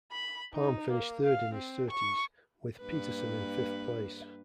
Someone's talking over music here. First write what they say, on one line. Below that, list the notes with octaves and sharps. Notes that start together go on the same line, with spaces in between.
Palm finished third in his Surtees, with Peterson in fifth place.
B5
D#4
A#3
F5
C4
C#6
G2 A#3 B4